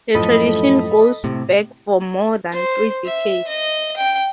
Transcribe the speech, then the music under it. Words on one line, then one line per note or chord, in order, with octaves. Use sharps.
The tradition goes back for more than three decades.
F#2 A2 F3 A4 D#5 B5
A2 C3
C5
E5
D#5
G5